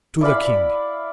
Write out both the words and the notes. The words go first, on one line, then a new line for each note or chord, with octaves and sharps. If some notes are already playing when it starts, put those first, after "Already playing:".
"To the king."
E4 D5 F5 B5